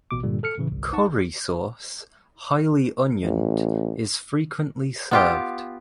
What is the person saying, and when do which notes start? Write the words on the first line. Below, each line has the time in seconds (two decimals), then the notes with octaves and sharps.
Curry sauce, highly onioned, is frequently served.
0.11 A1 B2 D6
0.23 G2 A#2 D3 G3
0.43 A4 F6 C#7
0.58 A2 C#3 E3
0.72 G1 C2
0.93 D#4 F#5 A5 C#6
3.23 A1
5.11 B3 F4 G4